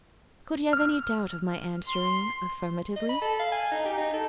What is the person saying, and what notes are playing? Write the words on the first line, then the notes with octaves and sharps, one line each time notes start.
Could he have any doubt of my answering affirmatively?
F6
C6
D#5
B5
A4
F5
G#5
D#4
G4
D#4
A4